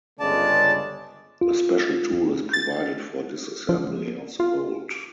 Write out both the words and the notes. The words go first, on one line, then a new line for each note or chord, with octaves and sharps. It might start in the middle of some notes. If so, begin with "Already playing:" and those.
A special tool is provided for disassembly of the bolt.
G1 C#2 C#3 G#3 D5 A5
F4
A6
F3
F4